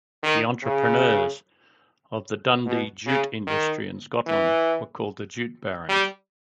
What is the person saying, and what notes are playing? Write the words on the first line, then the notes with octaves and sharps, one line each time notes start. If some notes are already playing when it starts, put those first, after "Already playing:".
The entrepreneurs of the Dundee jute industry in Scotland were called "the Jute Barons".
D#3
C#3
B2
C#3
D#3
E3
G3